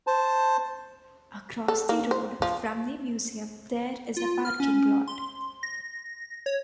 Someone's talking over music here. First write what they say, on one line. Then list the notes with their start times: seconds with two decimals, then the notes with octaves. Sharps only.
Across the road from the museum there is a parking lot.
0.07 C5 A5
1.68 A4
1.89 A#3
2.11 C5
2.42 F3
4.17 F4
4.45 F6
4.60 C#4
5.08 C6
5.63 A#6
6.46 C#5